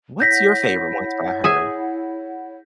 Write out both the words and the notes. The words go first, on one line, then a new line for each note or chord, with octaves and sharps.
What's your favorite ones by her?
E4 C#5 F#5 G6 A#6 B6
G#4 E5 G#5